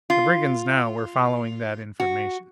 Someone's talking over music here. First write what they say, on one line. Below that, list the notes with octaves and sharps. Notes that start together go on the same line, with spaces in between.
The brigands now were following that information.
F4
F#4